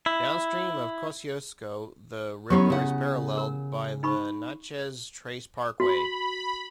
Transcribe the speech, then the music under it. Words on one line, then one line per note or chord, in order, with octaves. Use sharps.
Downstream of Kosciusko, the river is paralleled by the Natchez Trace Parkway.
E4
F#3 B3 C#4 E4 G4 C#6
C#3 F#5
A#4
D#4 B5 C#6
F#4 B5